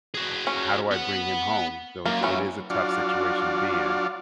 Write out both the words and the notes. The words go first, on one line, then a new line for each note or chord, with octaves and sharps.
h how do I bring him home? So it's it is a tough situation to be in.
F#4 G#4
C#4
B3 F#5
F#2 A#3
E3 C#4
F#3 D4 F4